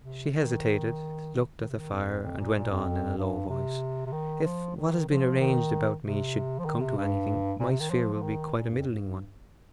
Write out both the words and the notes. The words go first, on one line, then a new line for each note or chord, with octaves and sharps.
She hesitated, looked at the fire, and went on in a low voice: "If what has been arranged about me should come to anything, my sphere will be quite a middling one."
C3
D#3
D#3
C3
D#3
F2
F2
A#2
A#2
F2
G2
C3
C3
D#3
F3
D#3
F3
D#3
C3
F3
D#3
C3
G2
A#2
C3
D#3
F3
F3
D#3
A#2
G2
F2
G2